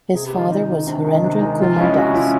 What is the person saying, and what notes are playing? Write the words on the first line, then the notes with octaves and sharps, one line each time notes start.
His father was Harendra Kumar Das.
C3 G#4
G4
D#3 G#3 F4
C3 D#4
D#3 G#3
C3 D4
D#3 G#3
C3 D4
D#4
D#3 G#3
C3 F4
F3 G#3 C#4 E4
C3 F#4
F3 G#3 C#4 E4